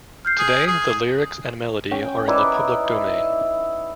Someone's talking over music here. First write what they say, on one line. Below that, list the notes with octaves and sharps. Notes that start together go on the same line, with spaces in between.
Today, the lyrics and melody are in the public domain.
F6 G6 C7
G#4
G#4
C#4 G5
D#4 E4 B4 D5